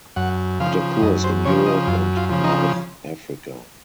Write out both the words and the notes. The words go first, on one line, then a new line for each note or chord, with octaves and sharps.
It occurs in Europe and North Africa.
F#2 F#5
C#3 F3 F5
F#2 D#5
C5
C#3 F3 C#5
D#5
F#2 F4
F4
C#3 F3
D#4